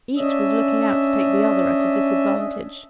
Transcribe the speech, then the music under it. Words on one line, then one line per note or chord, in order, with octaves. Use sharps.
Each was looking out to take the other at a disadvantage.
C#4 D4 D#5 E5